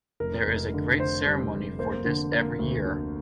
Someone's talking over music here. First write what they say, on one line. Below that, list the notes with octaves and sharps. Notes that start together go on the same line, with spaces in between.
There is a great ceremony for this every year.
F1 A#4
F1
D3
D3 C5
G3
F1
A#3 C5
D3
A#3
D2
D3